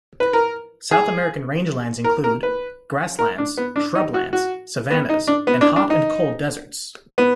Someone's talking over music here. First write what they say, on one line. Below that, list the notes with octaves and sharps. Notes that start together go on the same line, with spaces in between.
South American rangelands include; grasslands, shrublands, savannas, and hot and cold deserts.
B4
A#4
G#4
A#4
A#4
B4
A#4
D4
B3
D4
D#4
F#4
F#4
B3
D#4
D4
B3
D4
D4
D#4
B3